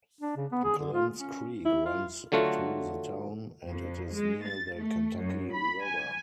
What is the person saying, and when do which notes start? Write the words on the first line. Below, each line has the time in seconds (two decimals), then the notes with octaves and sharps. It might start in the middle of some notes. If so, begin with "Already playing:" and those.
Glenns Creek runs through the town, and it is near the Kentucky River.
0.21 D4
0.37 C#3
0.52 B3
0.64 G#4
0.77 D3
0.93 F4
1.20 C#4
1.65 E4
1.86 F4
2.32 D3 F#3 A3 F4 F#4
3.66 F2
4.15 G#3
4.45 A6
4.76 A3
5.20 F#2
5.52 B5
5.84 G#5